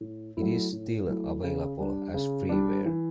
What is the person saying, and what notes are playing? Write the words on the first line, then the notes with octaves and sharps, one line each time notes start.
It is still available as freeware.
A2
F#3 A3 E4
A2
F#3 A3 E4
C#3
G3 D4
C#3
G3 D4
E3